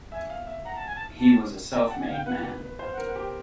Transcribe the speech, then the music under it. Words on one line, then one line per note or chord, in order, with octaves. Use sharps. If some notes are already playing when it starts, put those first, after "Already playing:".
He was a self-made man.
E5 G#5
F5
E5
F#5 A#5
A5
G#5
A5
A5
G5 A#5
A5
F#5
G#5
F5 G5
B4 F#5
B4
B4
C5 F5
F#5
A#4
F#5
G4 G5